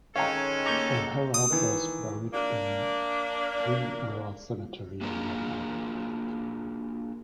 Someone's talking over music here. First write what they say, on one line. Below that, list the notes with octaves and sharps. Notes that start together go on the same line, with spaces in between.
O'Hara was buried in Green River Cemetery on Long Island.
D#3 G#3 C#4 A4 C#5 F5 G5 A#5
A#3 A#5 C#6 D6 G6
D#6
D#3 E3
A#3 D4
A#3 D4 F4 F#4 G#4 A#4